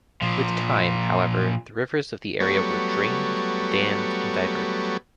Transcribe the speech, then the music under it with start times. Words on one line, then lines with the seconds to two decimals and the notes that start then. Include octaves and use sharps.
With time, however, the rivers of the area were drained, dammed and diverted.
0.22 A#2 F3
2.40 F#3 G3 A3 B3 C#5